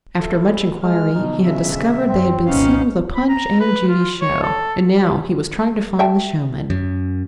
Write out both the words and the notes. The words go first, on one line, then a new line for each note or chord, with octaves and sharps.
After much inquiry he had discovered they had been seen with a Punch-and-Judy show and now he was trying to find the showmen.
E4 A4
G#3 F6
B2 D3 F#3 D#4
C#3 G#3 E5
F#2 F3 C4
C2 F2 A#2 B3 C#4 D#4 F5
B5
A#5
B4
F4
C#5
A4
E5 G5 A5
F#2